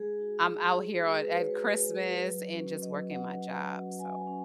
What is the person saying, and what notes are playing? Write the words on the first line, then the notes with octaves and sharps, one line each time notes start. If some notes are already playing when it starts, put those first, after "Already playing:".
I'm out here on at Christmas and just working my job, so
Already playing: G#3 G#4
D#4 F#4
G#3
D#4 F#4
G#3 G#4
B4
D#4 F#4 C#5
B4
G#3
D#4 F#4
F#3
C#4 F#4
F#3 D#5
C#4 F#4 F#5
F#3
C#4 F#4
F#3 G#5
C#4